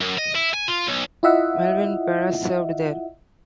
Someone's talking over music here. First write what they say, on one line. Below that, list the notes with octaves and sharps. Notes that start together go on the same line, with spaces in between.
Melvyn Perez served there.
F#2
D#5
E4
G#5
F4
B1
E4 F4 D#5 E5 F#5